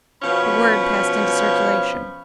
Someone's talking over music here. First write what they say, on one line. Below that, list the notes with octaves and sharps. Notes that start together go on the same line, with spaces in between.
The word passed into circulation.
B2 F3 C#4 B5